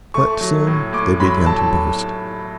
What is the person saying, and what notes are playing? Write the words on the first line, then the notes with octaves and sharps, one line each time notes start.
But soon they began to boast.
A3 C#6
F#3
A2
A2 D6
F#3 B5
A2 A5